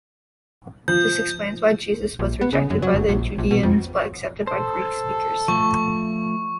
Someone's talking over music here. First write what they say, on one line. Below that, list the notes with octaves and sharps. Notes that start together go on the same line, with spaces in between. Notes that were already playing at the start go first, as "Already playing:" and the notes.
This explains why Jesus was rejected by the Judeans but accepted by Greek speakers.
F3 G6
A#1
B3
C#3
F#2
F#3
F#1
A#1
A#1
B2
F2
A4 C5
F3 A3 C#6